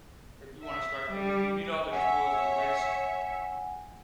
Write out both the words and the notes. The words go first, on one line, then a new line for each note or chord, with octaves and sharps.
If you wanna start cooking, you need all the tools, a whisk,
E5
G3
C#5 E5 F#5 G#5